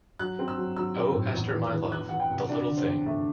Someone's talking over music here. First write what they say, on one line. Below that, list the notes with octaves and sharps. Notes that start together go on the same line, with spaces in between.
Oh, Esther, my love, the little thing!
F#3 F#6
C4
E6
F#3
F#3 E6
C4
A2
E2
E3
E3
E3 F#6
E3 F#5
G5
C3
D4 D5
D3
C5
E2
A3 E5